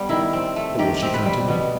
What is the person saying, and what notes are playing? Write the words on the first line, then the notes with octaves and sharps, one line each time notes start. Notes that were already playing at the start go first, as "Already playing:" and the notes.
"But will she come to me?"
Already playing: G3 B3
D#3 E4
C4
A3
D#3 G4
C4
B4
G3
B2